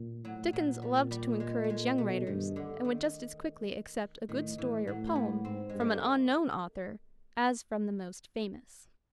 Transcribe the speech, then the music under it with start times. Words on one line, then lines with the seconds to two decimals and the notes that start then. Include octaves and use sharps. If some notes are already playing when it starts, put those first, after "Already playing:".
Dickens loved to encourage young writers, and would just as quickly accept a good story or poem from an unknown author as from the most famous.
Already playing: A#2
0.25 A2 F#3
0.53 A#2 F#3
0.82 G3
1.11 G3
1.40 G#3
1.64 A3
1.70 G#3
1.98 B2 A3
2.27 G2 D#3
2.56 D3
2.85 D#3
4.29 A2 D#3
4.58 A2 E3
4.87 A2 F#3
5.07 A#3
5.15 B3
5.45 G#2 C4
5.69 G2 G#3
5.80 A3
5.91 A#3